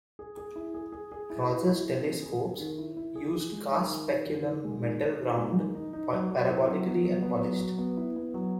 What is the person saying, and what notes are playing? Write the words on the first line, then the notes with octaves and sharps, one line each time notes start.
Rosse's telescopes used cast speculum metal ground parabolically and polished.
G#4
G#4
E4
G#4
G#4
G#4
E4
E4
E4
G#4
G#4
G#4
G#4
D#3
E4
E4
G#4
G#4
G#3
D#3
D#3
D#3
D#3
D#3
G#3
D#3
G#4
D#3
G#3
D#3
D#4
D#4
F#3
F#3
E4
F#3
B3
F#3
B3
F#3
F#3
B3
E4
B3
F#3